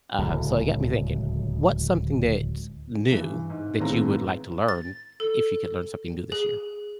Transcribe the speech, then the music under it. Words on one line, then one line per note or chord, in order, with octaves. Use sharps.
Uh, so it got me thinking, what's something that's new that you would like to learn, if you could learn something new this year?
D1 C#2
G2 E3
G#2
G#1 A2 B3 C4 G#4 A#5
A6
A4
G#4